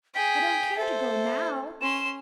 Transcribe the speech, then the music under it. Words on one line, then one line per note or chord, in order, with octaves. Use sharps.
"I don't care to go now."
G#4 G5 B6
A4 C5 E5
C#4 C6 E7